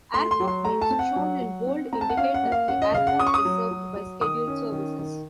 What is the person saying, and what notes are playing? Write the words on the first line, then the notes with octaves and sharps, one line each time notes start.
Airport names shown in bold indicate that the airport is served by scheduled services.
A3 C6
C6
F#3
C6
A3 A#5
A5
C4
F#5
F#3
F#3
C4
C4 A#5
A5
F#5
C#4 F5
F#5
A#3
F5
C#4 F#5
D#5
C#3 F5
F#5
C#4 D#6
C#6
D#6
F#3
F#3
F#3
D#3 D#6
C#4
D#3
D#3